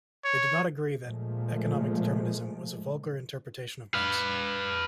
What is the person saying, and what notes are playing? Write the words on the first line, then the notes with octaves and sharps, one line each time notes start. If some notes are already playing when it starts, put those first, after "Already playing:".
They did not agree that economic determinism was a vulgar interpretation of Marx.
C#5
A#2 F3 G#3 A3
B4 F5